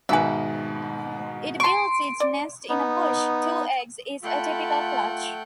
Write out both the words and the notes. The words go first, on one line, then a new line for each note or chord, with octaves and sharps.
It builds its nest in a bush; two eggs is a typical clutch.
G#2 B2 D#3 B4 E5 F5 G#5
A5 C6 C#6 D7
D5
B3 D#4
A3 F4 A4 F#5 G5 B5